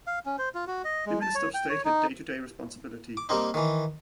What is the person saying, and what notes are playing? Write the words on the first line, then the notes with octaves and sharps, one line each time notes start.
The Minister of State had day-to-day responsibility.
F5
C#4
C5
F4
F#4
D#5
G#3
A5
C#5
G5
C#5
D#4
D6
G3 A#3 C4 D#4
D#3 E3